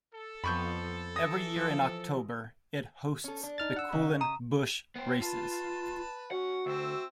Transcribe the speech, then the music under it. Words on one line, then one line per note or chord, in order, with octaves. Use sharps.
Every year in October, it hosts the Kulin Bush Races.
A4
F2 F3 B3 B5 C#6 G6
E3 D#6 A#6
F3
C#4 A4
D4
D#4 F6 A6
F#5 E6
C#3 D#5
A#5 D#6
B3 G5
F4 B4 A5
C#4 F#4 F#5
D2 C4 E5